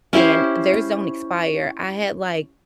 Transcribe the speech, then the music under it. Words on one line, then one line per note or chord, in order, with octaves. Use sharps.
and theirs don't expire. I had, like
C#4 E4 G4 C5